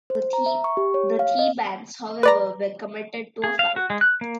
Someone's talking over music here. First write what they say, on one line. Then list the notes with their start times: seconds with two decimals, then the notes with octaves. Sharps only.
The Thebans however were committed to a fight.
0.10 C5
0.33 A#5
0.46 E5
0.64 C#6
0.77 G4
0.94 C#5
1.19 F5
1.39 D#5
2.23 B4 D5 A#5
3.44 G#4
3.59 F5
3.76 F#4
3.90 G#3
4.01 F#6
4.21 A#3